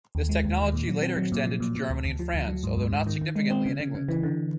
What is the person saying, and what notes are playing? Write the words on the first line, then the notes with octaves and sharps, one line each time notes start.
This technology later extended to Germany and France, although not significantly in England.
D#2
G#3
D#2
D#3
A#2
F#3
C4
F#3
A#2
F3
A#2
A#2
D2
D2
F3
D2
F#3
G#2
G#2
G#2
D#3
D#3
G#3
C4
C#3
C#3
C#3
E3
D3